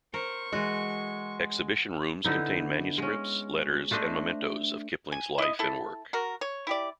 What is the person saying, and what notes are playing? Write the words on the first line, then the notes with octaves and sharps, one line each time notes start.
Exhibition rooms contain manuscripts, letters, and mementoes of Kipling's life and work.
A#4 C5 C#6
E3 G#3 F#4
D3 B3 D#4 E4
G#3 C#4
A3 D4 C5 D#5
G#5
E4 D#5
E4 A4
F#4 A#4
C#5
E4 G4 D5